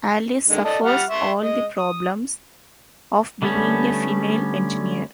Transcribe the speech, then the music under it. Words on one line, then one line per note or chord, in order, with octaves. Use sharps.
Alice suffers all the problems of being a female engineer.
D3 D#3 G#3
A4 D5 D#5
G3 F#5 F6
E5 C6 C#6
G#3 D#5
D#6
D3 G3 A3 B3 C#4